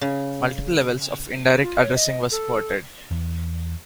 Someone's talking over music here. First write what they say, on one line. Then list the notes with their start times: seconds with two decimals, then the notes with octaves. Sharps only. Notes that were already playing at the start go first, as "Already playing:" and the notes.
Multiple levels of indirect addressing were supported.
0.01 C#3
1.63 F4
1.80 C#5
1.94 D#5
2.31 A4
3.11 E2